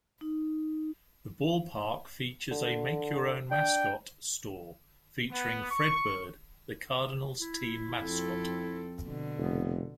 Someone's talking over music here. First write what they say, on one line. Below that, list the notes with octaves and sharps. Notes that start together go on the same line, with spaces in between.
The ballpark features a make-your-own-mascot store featuring Fredbird, the Cardinals' team mascot.
D#4
D3
D4 G5
B3
C#6
E4
F2 C4 A4
B2 D3
F1 B3